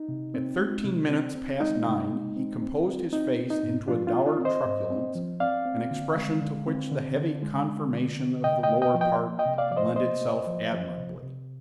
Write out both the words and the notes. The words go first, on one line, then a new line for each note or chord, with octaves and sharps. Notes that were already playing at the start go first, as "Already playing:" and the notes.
At thirteen minutes past nine he composed his face into a dour truculence, an expression to which the heavy conformation of the lower part lent itself admirably.
Already playing: D#4
C3
C4
G#3
C3
C4
C4
G#3 D#4
C3
G#3
C4
C4
C4
C4 D#4
C4
D#4
G#2
F3 D4 F4
D4 F4
C4
D4 F4
C4
C5 D#5
G#2
C4
F3
C4 D5 F5
C4
D3
G#3
D3
C4
D3
D3
G#3
D3
D3
D3
C3 D#5 G5
D#5 G5
A#3
D#5 G5
F3
D#5 G5
A#3
D#5 G5
C3
D5 F5
F3 D5
C5 D#5
C3 C5 D#5
A#3
F3
F3
C3
C3